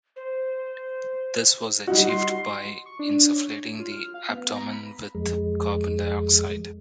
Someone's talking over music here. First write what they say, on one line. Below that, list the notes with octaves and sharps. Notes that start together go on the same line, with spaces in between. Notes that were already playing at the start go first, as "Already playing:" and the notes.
This was achieved by insufflating the abdomen with carbon dioxide.
C5
G3 D#4 F#4
C6
C#6
D4
C#5
F4
F6
F5
B3
A#5
B5
F2 G#3